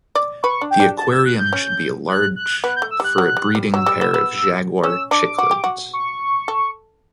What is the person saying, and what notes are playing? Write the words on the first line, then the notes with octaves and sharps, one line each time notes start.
The aquarium should be large for a breeding pair of jaguar cichlids.
D5
B4 C#6
D4
G5
D4
A5
E6
F#6
G6
C#4
F#6
F#6
B3 F#6
G6
A3
E6
G3 F#6
F#3
G3
G3
F#3 E6
G3
B3
B3
C#4 E6
D4 D6
F#4
G4
F#4
C#6
A4